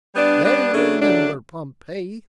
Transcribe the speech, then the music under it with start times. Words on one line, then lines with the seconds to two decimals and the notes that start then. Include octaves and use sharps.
They remember Pompeii.
0.15 G3 B3 D4
0.44 G3 B3 D4
0.72 C#3 F#3 A3 D4
1.01 C#3 F#3 A3 D4